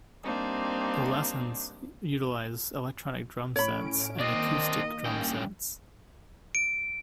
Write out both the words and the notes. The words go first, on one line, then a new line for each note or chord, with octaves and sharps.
The lessons utilize electronic drumsets and acoustic drumsets.
G3 A#3 C4 D4 D#4
A2 C#4 C#5 B5 D7
D#3 A#3 C4 D4 D#5
G2 C#4 G5
D7